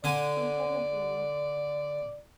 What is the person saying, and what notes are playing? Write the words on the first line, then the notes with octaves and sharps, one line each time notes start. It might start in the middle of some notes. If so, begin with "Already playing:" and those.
We haven’t any.
D3 D5 G#5